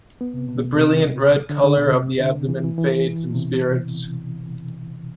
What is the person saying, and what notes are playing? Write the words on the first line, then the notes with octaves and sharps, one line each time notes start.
The brilliant red colour of the abdomen fades in spirits.
B3
C3
B2
C3
B2
D3
D3
B2
C3
D3
E3
E3
E3
B2
C3